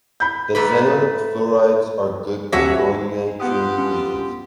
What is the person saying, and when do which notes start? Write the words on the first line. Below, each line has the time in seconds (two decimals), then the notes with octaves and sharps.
The xenon fluorides are good fluorinating agents.
0.20 B5 G6
0.55 G#2 A3 B4
2.52 D#1 F#3 F#4 C#5 E5 A#6
3.40 G2 B3 F4 G4 F#5 C6 D#6
3.78 C#4